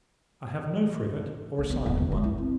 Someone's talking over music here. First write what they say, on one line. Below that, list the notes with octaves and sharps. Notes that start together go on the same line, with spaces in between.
I have no frigate, or a sign of one.
A#3
B3
D#1
D3
G#3
E4
C4